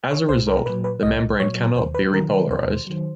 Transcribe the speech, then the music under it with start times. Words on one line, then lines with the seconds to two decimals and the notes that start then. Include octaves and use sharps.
As a result, the membrane cannot be repolarized.
0.11 C#5
0.29 C2 C5
0.47 A#4
0.57 A#4
0.66 A#2 F#3 B4
0.84 B4
1.03 C2 D#5
1.40 A#2 F#3 C#5
1.76 D#2 C5
1.94 B4
2.13 D#3 A#4
2.18 F#3
2.32 B4
2.50 D#2 C5
2.87 D#3 F#3